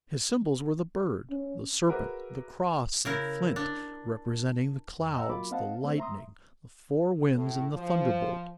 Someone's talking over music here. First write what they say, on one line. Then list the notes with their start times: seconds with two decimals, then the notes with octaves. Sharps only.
His symbols were the bird, the serpent, the cross, and the flint, representing the clouds, the lightning, the four winds, and the thunderbolt.
1.31 C#4
1.88 F#4 G#4 A#4 B4 E5 D6
3.05 C#3 E4 A#4
3.56 D4
4.98 F2
5.16 D#5 F#5 G5 A#5 E6
5.29 F#3 A#3 F4 B5 D6
5.51 C4 D#5 F5 F#5 A5
5.84 A3 C4
5.98 E5 A#5 C6 D#6
7.35 A2
7.74 F3